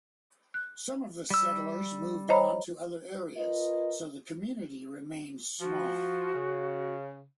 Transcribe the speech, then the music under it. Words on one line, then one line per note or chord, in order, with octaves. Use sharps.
Some of the settlers moved on to other areas so the community remained small.
F#6
G3 E6
C5 C#5 D#5 A#5 B5
F4 A#4 B4 D#5
F3 F#4
C#3